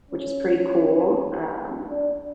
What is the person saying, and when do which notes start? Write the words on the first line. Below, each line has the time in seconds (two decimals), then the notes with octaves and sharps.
which is pretty cool. Um,
0.11 C#4
1.89 D4